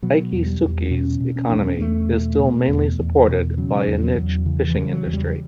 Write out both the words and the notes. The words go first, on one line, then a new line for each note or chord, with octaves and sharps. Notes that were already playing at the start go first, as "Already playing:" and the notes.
Ikitsuki's economy is still mainly supported by a niche fishing industry.
B2 F#3
E2
G3
E2
B2 C#4
B2
C#4
E2 D4
C#4
B3
E2 A3
B2
B2
E2
E2
B2
C#3 F#3
E2
F#3
E2
C#3 E3
E3
C#3
G3
F#3
E2
G3